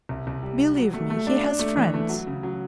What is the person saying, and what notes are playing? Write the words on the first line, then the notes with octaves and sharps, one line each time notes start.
Believe me, he has friends.
C2
C2
G3
G3
F#3
A3
A3
D4
D4
A3
E3
A3
F#3
C#3
F#3